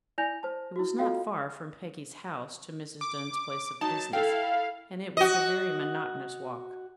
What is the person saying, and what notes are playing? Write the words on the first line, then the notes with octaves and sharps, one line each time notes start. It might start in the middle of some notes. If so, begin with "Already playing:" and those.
It was not far from Peggy's house to Mrs. Dunn's place of business, and it was a very monotonous walk.
E4 D5 G#5 G6 A#6 F7
C5 A5
E4 F#4
F4 F#4 A4 D#5 F5 G5
D6
F#3 D#4 A5
E4 A4 F5 G5
F#4 D#5